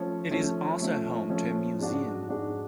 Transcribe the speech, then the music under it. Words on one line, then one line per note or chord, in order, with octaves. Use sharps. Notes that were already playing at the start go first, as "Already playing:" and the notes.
It is also home to a museum.
Already playing: F3 A3 C#4
F3 A3 C#4
F3 A3 C#4
F3 A3 C#4
G#2 G#3 D4 F#4
G#2 G#3 D4 F#4